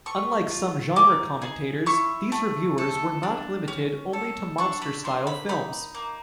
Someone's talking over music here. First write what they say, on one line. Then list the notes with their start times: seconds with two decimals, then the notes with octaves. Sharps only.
Unlike some genre commentators, these reviewers were not limited only to monster-style films.
0.06 A3 C#6
0.50 F4
0.96 D#4 D6
1.42 G#4
1.86 E4 C#6
2.32 A3
2.78 A4
3.23 D4
3.68 C#4
4.13 A4
4.58 D4 C#6
4.82 B5
5.04 A#3 C6
5.27 B5
5.49 D#4 B5
5.95 A#3